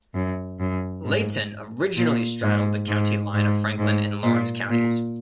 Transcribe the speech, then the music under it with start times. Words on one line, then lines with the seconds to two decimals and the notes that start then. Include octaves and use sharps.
Leighton originally straddled the county line of Franklin and Lawrence Counties.
0.14 F#2
0.60 F#2
1.05 G#2
1.97 A#2
2.42 G#2
2.87 G#2
3.33 G#2
3.78 G#2
4.24 A#2
4.70 A#2